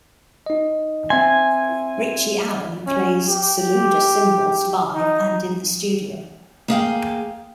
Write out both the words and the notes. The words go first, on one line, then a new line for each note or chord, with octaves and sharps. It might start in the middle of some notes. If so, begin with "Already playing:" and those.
Richie Alan plays Saluda cymbals live and in the studio.
D#4 D#5
C4 E5 G#5 C6
C#4
G4
D#4
A#3 G#4 F5 G5